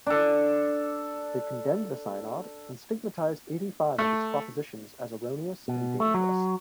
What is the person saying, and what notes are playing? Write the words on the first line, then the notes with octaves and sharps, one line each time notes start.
They condemned the synod and stigmatized eighty-five of its propositions as erroneous and dangerous.
D4 A4
A3
B2
A3
F#3